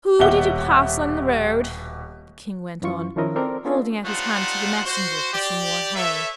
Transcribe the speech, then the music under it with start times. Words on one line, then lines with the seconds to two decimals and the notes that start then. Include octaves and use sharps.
'Who did you pass on the road?' the King went on, holding out his hand to the Messenger for some more hay.
0.19 D#1 B2 G4 E5 F#5 G7
2.82 F#2 E3 F4 C#6
3.16 D#3 F3 C#4 E4 A#4 D#5
3.36 C4 A4 A#4 C5 D5
3.65 B3 C#4 D4 F4 G#4 A4
4.05 G3 A3 D#4 F4 C5 F#5
4.85 F#4 C5
5.33 G4 D5
5.95 A4 B4 C#5 E5